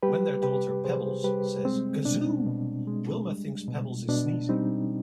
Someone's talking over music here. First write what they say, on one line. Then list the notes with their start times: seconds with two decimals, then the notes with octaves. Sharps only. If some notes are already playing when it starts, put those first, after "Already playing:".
When their daughter, Pebbles, says "Gazoo," Wilma thinks Pebbles is sneezing.
0.03 G3 G4 B4
0.43 C3 G4 B4
0.84 C3 G#4 C5
1.24 G3 G4 B4
1.65 G#3 C4
2.05 B2 D4
2.46 B2
2.87 G#3
3.28 G3
3.68 B2
4.09 B2 D4
4.49 G3 C4 D#4